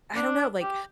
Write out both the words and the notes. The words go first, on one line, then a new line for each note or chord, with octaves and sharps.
I don't know, like
D4
G4